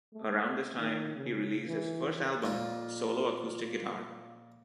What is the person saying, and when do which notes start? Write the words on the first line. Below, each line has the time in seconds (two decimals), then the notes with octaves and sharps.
Around this time, he released his first album, "Solo Acoustic Guitar".
0.13 A3
0.78 D#3
1.16 C#3
1.67 E3
2.42 F2 A#2 F4